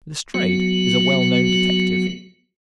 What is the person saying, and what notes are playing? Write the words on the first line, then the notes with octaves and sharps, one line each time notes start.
Lestrade is a well-known detective.
F#3 B3 F#4